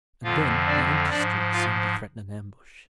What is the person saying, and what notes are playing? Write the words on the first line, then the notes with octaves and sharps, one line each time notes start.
And then, the empty street seemed to threaten an ambush.
F2 D3 F3 F4 F5
D4 D5
G#2 F3 D4 D5
F4 F5